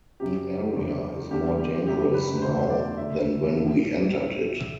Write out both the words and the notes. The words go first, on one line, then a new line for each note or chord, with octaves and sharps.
The area is more dangerous now than when we entered it.
F#1 F#2 F#3 G4
F#1 E2 D3
E2 D3 G3 G4
G4
F#1 F#2 F#3 G4
B4
E2 B2 A3 D4 C5
D5
D2 D3 A3 E5
A1 A2 G3